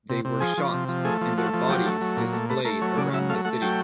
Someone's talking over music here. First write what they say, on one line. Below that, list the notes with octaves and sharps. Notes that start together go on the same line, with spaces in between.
They were shot and their bodies displayed around the city.
C3
C3
F3 G#4
F3
C3
F3
A3 G#4
F3
A3 F#4
F3
F#3 G4
A3
F#3
A#2
A3
A3 B4
A3 A#4
F#3 C#5
C#3 D5
F#3 E5
A3 F5
A3 F#5
F#3 G5